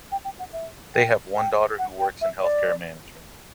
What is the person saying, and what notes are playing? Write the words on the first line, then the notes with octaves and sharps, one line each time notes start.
They have one daughter who works in healthcare management.
G5
G5
F#5
E5
G5
G5
F#5
G5
E5
D5